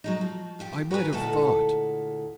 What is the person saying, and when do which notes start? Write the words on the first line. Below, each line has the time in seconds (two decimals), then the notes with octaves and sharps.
"I might have thought!"
0.04 F#3 G#3 D#4
0.21 F3
0.59 F2 A#2 G4
0.91 F#4 G#4 A#4 B4 G#5
1.12 D2 A#2 G#3 E4 A4 F#5